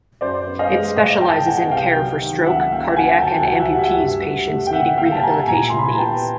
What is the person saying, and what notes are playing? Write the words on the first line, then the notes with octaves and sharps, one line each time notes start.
It specializes in care for stroke, cardiac and amputees patients needing rehabilitation needs.
F#2 C5 D5
B3
D#5 F5
G#3
A2 D#5 F5
E4 G5 A5
B3 F#5 G#5
C2 F5 G5
F#3
D#3
C#2 E5 F#5
A#3 F5 G5
F#3 F#5 G#5
D2 G5 A5
F#5 G#5
D2
E5 F#5
G3
E5 F#5
G2
G2
A3
G5
C3 E5 F#5
A#3 F5 G5
A5
G3 G#5 A#5
A#2 G#5 A#5
E4 C6
B5
A#5
B3 G5 A5